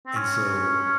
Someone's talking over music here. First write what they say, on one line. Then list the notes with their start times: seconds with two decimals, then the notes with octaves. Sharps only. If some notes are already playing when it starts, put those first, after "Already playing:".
And so,
0.07 C4
0.17 C#4